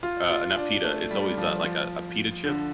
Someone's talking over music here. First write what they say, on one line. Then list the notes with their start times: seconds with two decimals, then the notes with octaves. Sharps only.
uh, not pita, it's always, uh, like, a, a, pita chip,
0.03 F4
0.31 F4
0.57 D4
0.84 A3
1.11 G3
1.37 F3
1.64 F3
2.44 D3